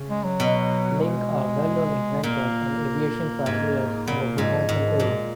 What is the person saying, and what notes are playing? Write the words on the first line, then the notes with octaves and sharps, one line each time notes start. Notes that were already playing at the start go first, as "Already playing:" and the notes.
Link a well-known inventor and aviation pioneer in the Binghamton area.
Already playing: C#3
G#3
F#3
B2
G#3
A#2 A#3
G#2
A#2 B3
A#3
G#2 G#3
F3
G#2 D#3
F3
A#2
G#3